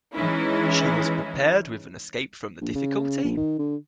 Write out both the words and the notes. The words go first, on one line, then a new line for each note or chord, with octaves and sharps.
She was prepared with an escape from the difficulty?
E3 G#3 C#4 D#4 E4
A#1
C#3
A#1
D#3
D3